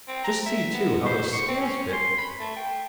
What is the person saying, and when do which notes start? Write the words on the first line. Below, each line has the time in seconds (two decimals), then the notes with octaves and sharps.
Just see, too, how those skins fit!
0.08 C4
0.24 A#5
0.46 E5
0.74 B3
1.06 C5
1.33 C#6
1.48 C4
1.61 C#4
1.93 C6
2.18 B5
2.39 A3
2.56 G5